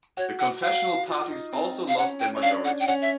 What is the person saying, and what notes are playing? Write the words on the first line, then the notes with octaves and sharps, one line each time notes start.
The confessional parties also lost their majority.
F#4 C#5
F#5
F#4 F5
F4
D#4
C4
F5
C#4 F#5
G5
C#4
D4 F5
F#5
G5
C#4 F#5
E5